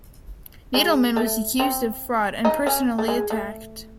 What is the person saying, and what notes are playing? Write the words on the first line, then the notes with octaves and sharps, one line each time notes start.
Needleman was accused of fraud and personally attacked.
G#3
A3
C4
D#4
C#4
A3
G#3
A3